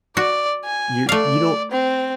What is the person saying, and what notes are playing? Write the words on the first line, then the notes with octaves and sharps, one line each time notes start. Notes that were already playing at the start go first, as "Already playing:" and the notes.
you you don't
F#4 D5
G#5
A3 D5 F5
C4